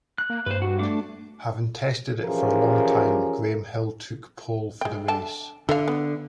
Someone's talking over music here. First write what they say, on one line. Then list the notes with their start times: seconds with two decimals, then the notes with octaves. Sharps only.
Having tested it for a long time, Graham Hill took pole for the race.
0.18 F#6
0.30 A#3
0.46 G2 B4 C5
0.62 F#4
0.79 A3 D4 D6
2.25 E3 F3 C#4 G4 G#4 A#4
4.81 G#3 G5
5.08 D3 G5 A5
5.69 D3 A4 E5 F5
5.88 B3